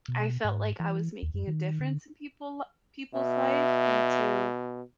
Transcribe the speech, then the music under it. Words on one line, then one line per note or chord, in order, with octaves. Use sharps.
I felt like I was making a difference in people people's life, and to
B2
G#2
E3
D#2
F#2
D#3
D3
B2 E5